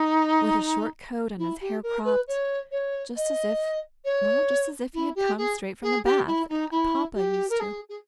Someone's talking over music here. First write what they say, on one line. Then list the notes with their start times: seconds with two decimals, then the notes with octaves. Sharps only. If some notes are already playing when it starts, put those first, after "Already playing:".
"With a short coat and his hair cropped; just as if, well, just as if he had come straight from the bath... Papa used to..."
Already playing: D#4
1.38 E4
1.60 G4
1.82 A#4
2.04 B4
2.27 C#5
2.71 C#5
3.15 D#5
4.04 C#5
4.93 E4
5.15 G4
5.37 G#4
5.82 G#4
6.04 G4
6.26 E4
6.48 D#4
6.70 E4
7.14 G4
7.49 A#4
7.59 G#4
7.89 G#4